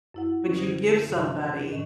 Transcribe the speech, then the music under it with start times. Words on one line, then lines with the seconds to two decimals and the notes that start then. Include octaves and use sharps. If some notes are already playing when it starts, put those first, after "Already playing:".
would you give somebody
0.14 F#2 E4 F#5
0.42 G3 C#4
0.55 F#2 D3 C5 D#6 G#6 A#6
1.07 F#2 C3 E3 F3 G3
1.55 D4
1.71 A2 D#3 F3 C#6